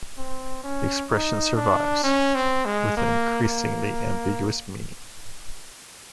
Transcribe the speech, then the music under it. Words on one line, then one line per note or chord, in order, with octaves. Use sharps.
The expression survives, with an increasingly ambiguous meaning.
C4
C#4
D#4
D4
C#4
C4
G#3
A#3
A#3